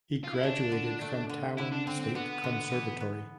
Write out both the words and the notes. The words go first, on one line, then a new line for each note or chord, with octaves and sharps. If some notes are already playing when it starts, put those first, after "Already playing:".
He graduated from Tallinn State Conservatory.
F4
E4
A3 D4
D3
A3
D3
D3 E4
D4
D3 C4
C4
D3 B3
D3
E3
B3